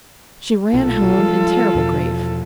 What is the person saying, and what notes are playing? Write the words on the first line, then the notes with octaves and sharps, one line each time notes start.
She ran home in terrible grief.
B1 A#2 F4 A4
F3 G3 G#3
E2 B2 F3